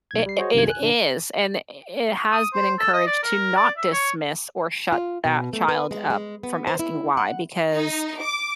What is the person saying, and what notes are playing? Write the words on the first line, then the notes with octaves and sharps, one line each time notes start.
It i it is, and i it has been encouraged to not dismiss or shut that child up from asking, "Why," because
B1 G#6
G3 C7
F#4 G#4 C5 C#5 D#5
C2 F#2 C3 D#3 F4 G#6
G#5 F#6
A#2 D3 D4
D#6
C5
A4
D#5
D5
A#4
D5
E5
C#5
F4
B2
A3
B4
G#3
G#3
B3
C5
E4
F#5
D#4
D6